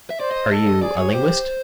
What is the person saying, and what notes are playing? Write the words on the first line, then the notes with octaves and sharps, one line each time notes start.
"Are you a linguist?"
E5
C5 D5
D#5
A4 D#5
D#5
G#4 D5
C#5
G4 C5